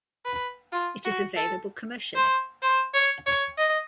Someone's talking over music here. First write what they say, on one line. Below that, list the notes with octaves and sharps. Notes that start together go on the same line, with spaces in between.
It is available commercially.
B4
F4
F#4
A4
C5
C5
C#5
C#5
D#5